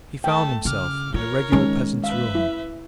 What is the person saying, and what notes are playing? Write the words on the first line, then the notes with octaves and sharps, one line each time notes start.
He found himself in a regular peasant's room.
A3 G5 A5
C#3 D6 F6
F4 A#4 C#5
D#3 G#3 C#4
B4 E5 F5
E4